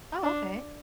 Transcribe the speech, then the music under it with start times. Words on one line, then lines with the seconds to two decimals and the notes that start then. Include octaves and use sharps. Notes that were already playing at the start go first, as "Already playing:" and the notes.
Oh, okay.
0.23 D4